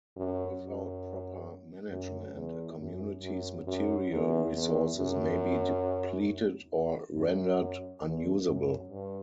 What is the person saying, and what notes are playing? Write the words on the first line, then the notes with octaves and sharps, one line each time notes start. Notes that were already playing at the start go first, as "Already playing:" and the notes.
Without proper management, a community's material resources may be depleted or rendered unusable.
F#2
F#2
F#2
E2
F#2
F#2
F#2
E2
E2
F#2
F#2
E2
F#2
G2